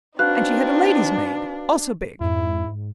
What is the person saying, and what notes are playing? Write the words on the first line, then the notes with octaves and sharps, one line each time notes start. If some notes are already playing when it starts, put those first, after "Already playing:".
And she had a lady's maid, also big.
C4 D4 D#4 F#4 B4 F5 F#6
F2 G#2 E4